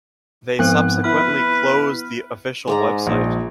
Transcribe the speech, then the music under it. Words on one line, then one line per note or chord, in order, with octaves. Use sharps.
They subsequently closed the official website.
G#2 F3 B3 C4 C5 F#6
E4 B4 B5 F6
G#2 G#3 D5 A#5
A#1